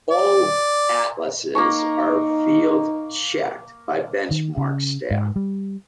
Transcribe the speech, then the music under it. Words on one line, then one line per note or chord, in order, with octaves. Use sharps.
All atlases are field-checked by Benchmark staff.
D5
A#3 D#4 A#5 C#6
D#3
C#3
G#2
G3